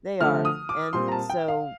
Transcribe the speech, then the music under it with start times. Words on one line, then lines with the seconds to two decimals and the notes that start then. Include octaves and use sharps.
They are, and so,
0.21 D3 F3 A3 F6
0.45 D#6
0.69 D6
0.93 A#2 G3 C4 C6
1.08 A#5
1.12 A5
1.30 G5
1.48 F5